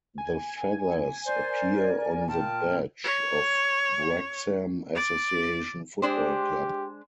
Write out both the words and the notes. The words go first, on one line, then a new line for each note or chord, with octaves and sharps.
The feathers appear on the badge of Wrexham Association Football Club.
G#5
A#4 C5 D5
A#2 F4 G5 A5 F6
C#5
D5
G#3 D4 G4 C5